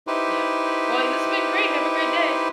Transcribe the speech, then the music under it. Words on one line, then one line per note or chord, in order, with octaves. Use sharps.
Yep. Well, it this been great, have a great day.
D#4 E4 G4 B4 C5